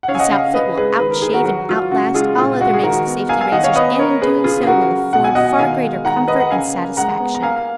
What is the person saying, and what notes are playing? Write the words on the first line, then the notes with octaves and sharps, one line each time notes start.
This outfit will out-shave and out-last all other makes of safety razors and, in doing so, will afford far greater comfort and satisfaction.
F#5
C#3 C#5 F5
G#5
D#5 F#5
C#3 F5 G#5
C#3 B4 D#5
G#3 G#4 B4
D#3 B4
A#4
D#3 G#4
F#4 A#4
F#3 F#4
F#3 F4
C#3 F#4
G#3 F4 G#4
A#2 F4
G#3 F#4
G#4
D#3 F#4 A#4
B3
A#3 F5 G#5
F5 G#5
D#3 D#5 F#5
C#5 F5
B3 B4 D#5
B3 A#4 C#5
C#3 G#4 B4
C#3 F4 G#4
G#4
C#3 F#4 A#4
F#3
B2 F#5
G#5
B2 D#5 F#5
D#3 F5 G#5
G#3
D#3 F#5 A#5
A#3 B4 D#5
F#5
C#3 F5 G#5
A#3
G#3 F#5 A#5
B3
A#5
A#3 F5 G#5